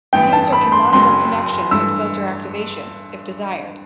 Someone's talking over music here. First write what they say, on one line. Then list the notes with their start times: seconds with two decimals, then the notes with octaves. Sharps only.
The user can monitor connections and filter activations, if desired.
0.13 A1 G2 E3 B3 G5
0.33 A5
0.53 B5
0.72 C6
0.92 F#1 F#2 F#3 C6
1.71 G2 E3 A3 E6